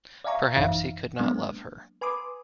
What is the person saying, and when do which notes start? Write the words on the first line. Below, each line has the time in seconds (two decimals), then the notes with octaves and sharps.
Perhaps he could not love her.
0.24 D5 E5 F5 G#5 A#5 C#6
0.56 A1 F#2 E3 D#4 E5 F5
1.20 F#3 G#3 A#3 B3 D4
2.01 B4 G#5 B5 C6 D6 D#6